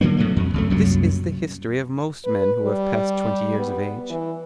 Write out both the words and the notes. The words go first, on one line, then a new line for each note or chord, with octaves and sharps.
This is the history of most men who have passed twenty years of age.
D3 F#3 A#3 B3
A2 F#3 A3
F2
C#2 F#2 A3
C2 F#2 A#2 F#3
B4
G3
B3
E3